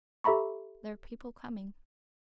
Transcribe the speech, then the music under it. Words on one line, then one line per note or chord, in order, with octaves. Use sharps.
There are people coming....
G4 A4 E5 A#5 B5 C#6